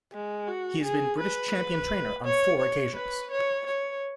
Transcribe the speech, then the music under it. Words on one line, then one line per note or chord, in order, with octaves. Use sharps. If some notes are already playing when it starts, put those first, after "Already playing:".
He has been British Champion Trainer on four occasions.
G#3
F#4
G#4
B4
C#5
C#5
B4
C#5
C#5